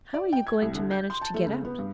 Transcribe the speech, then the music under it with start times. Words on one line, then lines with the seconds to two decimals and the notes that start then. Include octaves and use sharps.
"How are you going to manage to get out?"
0.14 D5
0.33 G5
0.47 G#6
0.62 C2
0.75 D3
0.91 G6
1.10 C6
1.21 A5
1.34 A3
1.47 C#3
1.65 B3
1.79 G2